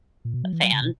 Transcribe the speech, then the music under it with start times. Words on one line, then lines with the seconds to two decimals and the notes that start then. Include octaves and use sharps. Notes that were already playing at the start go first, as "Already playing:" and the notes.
a fan.
0.25 A#2
0.34 B2
0.43 F#3
0.53 E3
0.63 F#3
0.72 C#3
0.82 B2